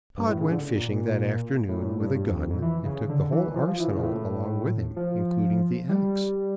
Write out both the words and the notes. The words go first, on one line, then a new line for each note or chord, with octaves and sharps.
Pod went fishing that afternoon with a gun, and took the whole arsenal along with him, including the axe.
G2
A2
C#3
D3
A#2
A2
A#2
A2
G2
G2
F2
F2
F2
E3
C#3
D3
E3
F3
F3
E3
C#3
A#2
A2
F3
G3